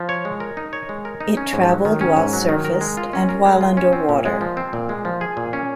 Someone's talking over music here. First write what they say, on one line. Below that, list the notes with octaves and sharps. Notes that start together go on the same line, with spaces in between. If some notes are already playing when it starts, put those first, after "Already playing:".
It traveled while surfaced and while under water.
Already playing: F3
C#5
G#3
A#4
D#4
C#5
G#3
A#4
D#4
C#4
G#2
F#3
D#3
C#4
G#2
F#3
D#3
A#4
G#3
F4
C#4
A#4
G#3
F4
C#4
C4
A#2
G#3
F3
C4
A#2
G#3
F3
G#4
A#2
C#4